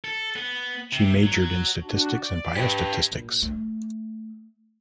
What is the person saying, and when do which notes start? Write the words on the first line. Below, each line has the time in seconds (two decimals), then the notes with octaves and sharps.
She majored in statistics and biostatistics.
0.04 A4
0.36 B3
0.93 C3
1.23 F#3
1.83 D4 F#4
2.19 D5
2.56 G4 B4
3.12 A#2
3.42 A3